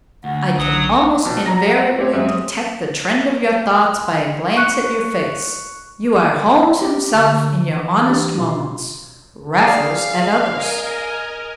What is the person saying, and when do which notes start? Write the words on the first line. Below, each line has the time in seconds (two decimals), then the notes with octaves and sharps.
I can almost invariably detect the trend of your thoughts by a glance at your face--you are Holmes himself in your honest moments, Raffles at others.
0.24 D2 F#5
0.58 B1 C#3 F#3 D#6
1.25 A#1 B2 A5
1.46 F#3 A#5 A#6
1.69 F#5
1.98 A3 C4 G4 C#5
2.13 F#2 G#3 C4 E5
2.28 D#6
4.56 C#6 F#6 C#7
6.81 G4
7.14 D3
7.67 E3
8.08 C4 D4 G4
8.38 B2 F4
9.59 C#3 G#4 C5 D5 F5
10.53 A#4 D#5 G#5 F6